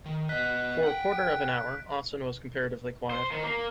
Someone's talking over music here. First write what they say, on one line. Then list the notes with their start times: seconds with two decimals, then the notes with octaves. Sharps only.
For a quarter of an hour Austin was comparatively quiet.
0.06 D#3
0.29 B3 D#5 F#6 B6
0.83 F#5 G5
1.12 D7
3.11 C5
3.32 D#3
3.44 A#3